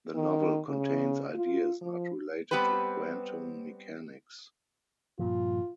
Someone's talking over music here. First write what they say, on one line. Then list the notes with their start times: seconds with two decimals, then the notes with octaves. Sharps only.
The novel contains ideas not related to quantum mechanics.
0.15 D#3
0.68 C#3
1.35 F4
1.81 F3
2.51 G3 B3 C4 G4 B4
5.19 G2 A#2 F3 F4